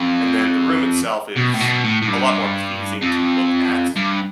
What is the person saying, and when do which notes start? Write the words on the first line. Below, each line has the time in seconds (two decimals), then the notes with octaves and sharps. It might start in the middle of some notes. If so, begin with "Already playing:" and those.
and then the room itself is a lot more pleasing to look at.
Already playing: F2
1.36 B2
1.53 A2
1.60 B2
1.84 A2
2.02 A2
2.08 G2
3.02 F2
3.96 G2